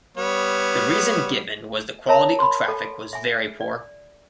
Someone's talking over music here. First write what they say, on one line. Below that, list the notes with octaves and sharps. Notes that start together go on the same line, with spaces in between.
The reason given was the quality of traffic was very poor.
G3 B3 C#5
A#4 C#5 E5 A5 A#5
B5 C6
A4
E5 G#5
D5